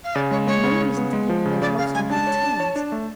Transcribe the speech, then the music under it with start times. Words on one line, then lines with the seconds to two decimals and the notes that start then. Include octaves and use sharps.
But I've no reason to think they are not on good terms.
0.04 F5
0.15 C#3 D5
0.31 G#3 C#5
0.47 G#3 C#5
0.64 C#3
0.81 C#3
0.97 B3
1.13 G#3
1.29 F3
1.45 C#3
1.62 C#3 D5
1.78 C#3 F5
1.94 G#3 G#5
2.10 D4 A5
2.27 C#5
2.44 D4
2.60 C#5
2.76 D4
2.92 A3